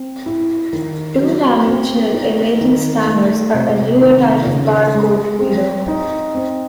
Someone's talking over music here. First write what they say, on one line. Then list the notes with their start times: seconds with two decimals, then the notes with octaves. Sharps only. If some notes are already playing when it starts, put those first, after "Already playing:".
Two-dimensional imaging scanners are a newer type of bar code reader.
Already playing: C4
0.26 E4
0.73 D#3
1.20 F#3
1.67 C4
2.13 D#4
2.61 D#3
3.07 A3
3.54 C3
4.01 D#3
4.47 C#3
4.94 G#3
5.40 C4
5.88 D#4
6.35 C4